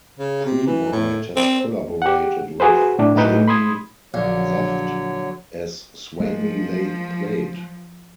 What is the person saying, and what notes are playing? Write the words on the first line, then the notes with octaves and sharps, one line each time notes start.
Previte has collaborated with Jamie Saft as Swami Late Plate.
C#3
C3
E3
A2
C4
G4 F#5
F#4 G#4 B4 C5
A2 D4
A2 D#4 B4 G6
B5 C6 D#6 G#6
A#1 D3 F#3 C#5
F3 G#3 A#3